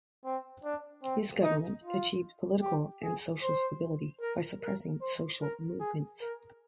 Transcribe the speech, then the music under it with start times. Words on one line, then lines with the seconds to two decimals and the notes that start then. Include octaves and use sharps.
His government achieved political and social stability by suppressing social movements.
0.25 C4
0.64 D4
1.03 C4
1.43 D#4
1.84 F4
2.62 G4
3.03 G#4
3.42 C5
4.21 A#4
4.61 A#4
5.01 C5
5.41 A#4
5.80 G#4
6.20 A#4